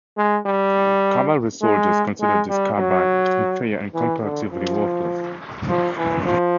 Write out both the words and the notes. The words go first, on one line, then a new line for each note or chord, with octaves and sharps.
Cavalry soldiers considered this carbine inferior and "comparatively worthless".
G#3
G3
G#3
G#3
G3
F#3
E3
D3
F3
F3
E3
F3